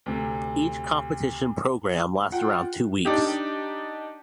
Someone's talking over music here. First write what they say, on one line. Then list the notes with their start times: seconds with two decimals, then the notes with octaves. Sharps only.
Each competition programme lasts around two weeks.
0.06 D2 C3
2.32 F4 F#5 G5
3.05 D4 D#4 G4